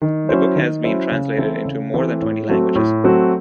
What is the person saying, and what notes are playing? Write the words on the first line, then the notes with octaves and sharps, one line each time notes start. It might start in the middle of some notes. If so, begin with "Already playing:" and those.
The book has been translated into more than twenty languages.
D#3
F#3 C#4 E4 C5
D#3
F#3 C#4 E4 C5
C#3
E3 C4 E4 A4
C#3
E3 C4 E4 A4
A2
F#3 A3 C4 F#4
A2
F#3 A3 C4 F#4